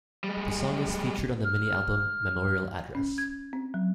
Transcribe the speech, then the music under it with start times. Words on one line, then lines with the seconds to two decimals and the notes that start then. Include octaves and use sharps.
The song is featured on the mini-album "Memorial Address".
0.24 G3 G#3
1.44 F6
2.95 C#4
3.18 G#6
3.53 C4
3.74 F#3